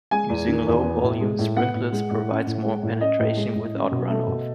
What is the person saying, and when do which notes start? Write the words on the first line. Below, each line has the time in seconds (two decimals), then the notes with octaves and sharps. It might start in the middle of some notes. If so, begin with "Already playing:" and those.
Using low volume sprinklers provides more penetration without runoff.
0.11 G#3 G#5
0.29 E2
0.48 D#3
0.66 E2
0.83 B3
1.02 A2
1.20 G#3
1.39 A2
1.56 B3 F#5
1.74 A2
1.92 G#3
2.11 A2
2.29 C#4
2.46 A2
2.64 G#3
2.83 A2
3.00 C#4 D#5
3.19 A2
3.37 G#3
3.55 A2
3.73 C#4
3.91 B2
4.09 A3
4.27 B2